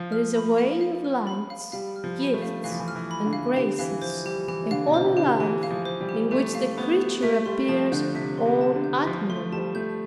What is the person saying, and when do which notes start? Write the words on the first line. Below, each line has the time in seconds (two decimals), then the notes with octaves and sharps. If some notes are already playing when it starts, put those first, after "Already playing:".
There is a way of lights, gifts and graces, a holy life in which the creature appears all admirable.
Already playing: F3 F5
0.12 F6
0.35 B5
0.58 F5
0.81 F5
1.04 F6
1.27 B5
1.50 F5
1.72 G3 F5
1.96 F6
2.04 F3
2.19 B5
2.34 A3
2.42 F5
2.64 E3 F5
2.72 F3
2.80 E3
2.88 F6
2.95 E3
3.11 B5
3.26 D3
3.33 F5
3.56 D3 G4
3.79 E3 F5
4.02 F3 C5
4.25 G3 G4
4.48 E3 G4
4.71 D3 F5
4.87 B2
4.93 C3 C5
5.17 D3 G4
5.40 E3 G4
5.63 F5
5.71 F3
5.85 C5
6.01 G3
6.09 G4
6.31 A3 G4
6.55 F5
6.78 B3 C5
7.01 G4
7.23 A3 E5
7.46 G3 C6
7.68 F3 A5
7.92 D3 G6
8.15 C3 E5
8.37 C6
8.45 C3
8.61 A5
8.76 D3
8.84 G6
9.06 F3 E5
9.29 A3 C6
9.52 G3 A5
9.75 A3 G6